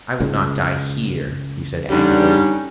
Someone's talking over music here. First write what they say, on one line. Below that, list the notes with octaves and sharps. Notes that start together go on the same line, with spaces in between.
"I will not die HERE," he said angrily.
C#2
D3 G3 C#4 D#4